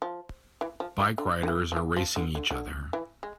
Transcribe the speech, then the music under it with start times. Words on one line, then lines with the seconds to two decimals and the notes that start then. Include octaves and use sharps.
Bike riders are racing each other.
0.02 F3
0.61 E3
0.80 F3
1.00 E3
1.18 D3
1.43 D3
1.48 E3
1.72 F3
1.76 E3
1.97 F3
2.16 D3
2.35 D3
2.50 D3
2.93 E3
3.23 G#3